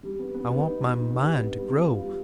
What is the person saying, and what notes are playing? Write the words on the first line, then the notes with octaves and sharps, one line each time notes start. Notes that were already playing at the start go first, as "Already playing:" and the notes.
I want my mind to grow.
G3
B3
B3
B3
D#4
B3
D#4
B3
G4
B3
G3
B3
F4
G3